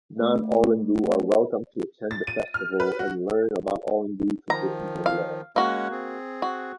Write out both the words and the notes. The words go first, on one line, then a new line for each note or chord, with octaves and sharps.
Non-Yolngu are welcome to attend the festival and learn about Yolngu traditions and Law.
A3
A6
D#7
F6
B4
F#4
D#3 F3 A#5
F5
G#3 A#3 C#4 F#4 F#5
C4 G#4
F#4